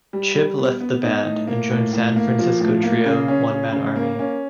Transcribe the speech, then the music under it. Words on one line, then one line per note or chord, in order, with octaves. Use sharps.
Chip left the band and joined San Francisco trio One Man Army.
G3
G3
B3
B3
D#4
A2
A#3
A2
A2
A#3
F3
A2
A#3
C#3
C#4
C#3
C#3
A#3
C#4